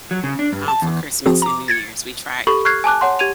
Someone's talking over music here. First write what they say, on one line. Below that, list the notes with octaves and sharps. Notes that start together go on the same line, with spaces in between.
um, for Christmas and New Year's, we try
F#3
C#3
D4
G2
A5
E2
F3 C4 F#4 G#4
A#5 D6
G#6 A6 C#7
G4 A4 B5 C#6 F#7
C#6 F6 F#6 G#6 C7
G#5 A5 D6 F#6
C#5 F#5 C6
G4 G#6 D#7 F7